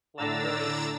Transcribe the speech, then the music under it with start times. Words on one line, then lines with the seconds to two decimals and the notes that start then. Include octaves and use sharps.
like really
0.18 A2 D3 D4 A#5 E6 A6